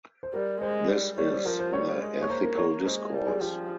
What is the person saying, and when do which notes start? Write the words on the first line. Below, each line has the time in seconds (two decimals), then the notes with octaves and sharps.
This is the ethical discourse.
0.23 C5
0.34 G3 A#4
0.61 G#3 C5
0.89 G3
1.18 G3 C#5
1.32 C5
1.45 F3 A#4
1.59 C5
1.73 G3 C#5
2.01 G#3
2.22 C#5
2.30 A#3 C5
2.43 A#4
2.57 C#5
2.86 G#3 C5
3.14 G3
3.27 G#4
3.41 F3 G4